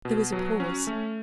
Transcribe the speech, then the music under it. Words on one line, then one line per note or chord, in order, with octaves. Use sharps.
There was a pause.
B2
F#3
C#4
A3